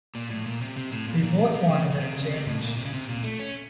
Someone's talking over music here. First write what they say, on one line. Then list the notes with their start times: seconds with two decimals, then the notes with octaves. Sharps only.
We both wanted a change.
0.15 A#2
0.30 A2
0.47 A#2
0.62 C3
0.77 C3
0.92 A2
1.08 A#2
1.19 C3
1.23 A#2
1.38 C3
1.55 C3
1.69 C#3
1.91 C#3
2.00 C3
2.16 C#3
2.31 C3
2.47 A2
2.62 A#2
2.77 C3
2.85 C#3
2.94 C3
3.09 A#2
3.24 A3
3.39 C#4